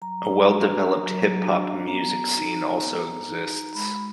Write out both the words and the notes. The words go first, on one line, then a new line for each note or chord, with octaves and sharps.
A well-developed hip hop music scene also exists.
F#3 A#5
D4 F#4
F#3
D4 F#4
B3 A#5
D#4 F#4
B3
D#4 F#4
G#3 B5